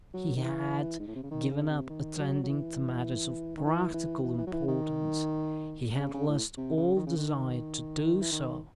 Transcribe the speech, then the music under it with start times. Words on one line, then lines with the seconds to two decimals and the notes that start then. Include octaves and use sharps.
He had given up attending to matters of practical importance; he had lost all desire to do so.
0.14 F#3
0.36 D#3
0.44 E3
0.99 G#2
1.08 A2
1.15 C3
1.23 C#3
1.31 D#3
1.50 C#3
1.70 C3
1.89 D#3
2.19 F#3
2.43 F#3
2.48 E3
3.57 D#3
3.65 E3
3.94 E3
4.23 E3
4.38 E3
4.47 F#3
4.53 E3
4.68 D#3
5.99 C#3
6.14 C#3
6.28 A2
6.57 C3
6.77 C#3
6.96 D#3
7.07 C#3
7.17 D#3
8.21 E3
8.33 D#3